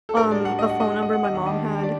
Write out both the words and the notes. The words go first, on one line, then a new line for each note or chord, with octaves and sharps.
um, a phone number my mom had
A4
A2 G3 D4 F#4 A#4
D5
F#5
D#5
F#5
D#5
F#5
D#5
F#5
D#2 D#3 G3 D4 G4 D#5
F#5
D#5
D5